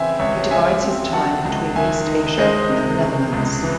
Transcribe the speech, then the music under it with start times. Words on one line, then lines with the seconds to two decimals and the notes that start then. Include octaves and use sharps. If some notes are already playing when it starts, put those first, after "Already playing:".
He divides his time between East Asia and the Netherlands.
Already playing: C#3 E3 C4 C5 E5 G#5
0.19 C#2 C#5 E5
0.51 C#3 E5 G#5
0.82 C4
1.13 F#3 F#5 A5
1.45 C#2
1.75 D#3 E5 G#5
2.07 D#4
2.38 G#3 C5 D#5
2.69 C3
3.01 C#3
3.32 C#2
3.63 E3